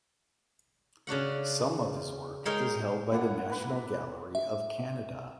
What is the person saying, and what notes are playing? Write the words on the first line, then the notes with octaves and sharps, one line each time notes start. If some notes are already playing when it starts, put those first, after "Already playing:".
Some of his work is held by the National Gallery of Canada.
C#3 D4 F#4 F#5
G#3 D#4 G#4 A#4 C#5 G5
A#3 D4 E4 F4 F#5
A#4 B4
E5